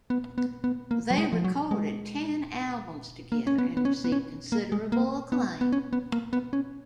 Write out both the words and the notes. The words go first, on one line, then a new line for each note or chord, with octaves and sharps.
They recorded ten albums together and received considerable acclaim.
B3
B3
B3
A#3
F#3
G#3
F3
F#3
G#3
A#3
C#4
B3
B3
C#4
B3
C#4
A#3
G#3
A#3
B3
B3
C#4
B3
A#3
B3
C#4